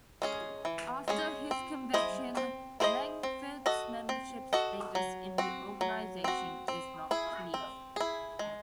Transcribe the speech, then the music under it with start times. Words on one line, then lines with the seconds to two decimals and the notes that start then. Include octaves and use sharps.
After his conviction, Langford's membership status in the organization is not clear.
0.22 G#3 C#4 G#4
0.65 E3
1.08 G#3 C#4 G#4
1.51 C4
1.94 E4 G#4 C5 D#5
2.37 C4
2.80 E4 G#4 C5 D#5
3.23 C4
3.66 F#4 A4 D#5
4.09 C4
4.53 F#4 A4 D#5
4.95 F#3
5.38 C4 F#4
5.81 F#3
6.24 C4 F#4
6.68 C4
7.11 E4 G#4
7.54 C4
7.96 E4 G#4
8.39 G#3